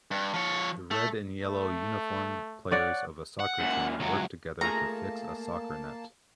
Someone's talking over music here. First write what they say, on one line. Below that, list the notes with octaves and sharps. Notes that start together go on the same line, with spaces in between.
The red and yellow uniformed players of a soccer team work together to fix a soccer net.
G2
F3 C#5
A3
A3
C#5 D5 F#5
F#5
F#2 A#2
C#2 F#2 F#3
A3 A#3 F4 G#4 A5 A#5